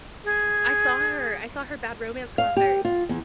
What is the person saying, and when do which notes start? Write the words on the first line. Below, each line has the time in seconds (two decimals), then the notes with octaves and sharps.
I saw her I saw her Bad Romance concert.
0.24 G#4
2.38 F5
2.57 G4
2.85 F4
3.09 E2